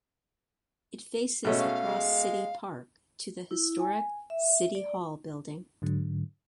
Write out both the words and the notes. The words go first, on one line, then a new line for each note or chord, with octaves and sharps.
It faces across City Park to the historic City Hall building.
B2 G#3 A3 C#4
F5
G#3
E4
G#5
E5
D5
G#2 D3 F#3